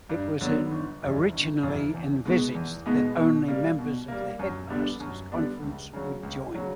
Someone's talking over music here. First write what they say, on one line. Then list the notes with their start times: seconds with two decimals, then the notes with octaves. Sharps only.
It was originally envisaged that only members of the Headmasters Conference would join.
0.10 G2
0.41 D3 F#3 B3
0.71 G1
1.02 F2 C3 E3 G3
1.32 G1
1.63 F2 C3 E3 G3
1.94 E2
2.25 B2 G#3 B3 D#4
2.55 E2
2.86 B2 G#3 B3 D#4
3.17 B2
3.48 G3 A#3
3.79 B2
4.08 G3 A#3
4.39 F#2
4.70 D3 G3 B3 D4
5.00 F#2
5.32 D3 G3 B3 D4
5.62 C#2
5.93 C#3 F#3
6.23 C#2
6.55 C#3 F#3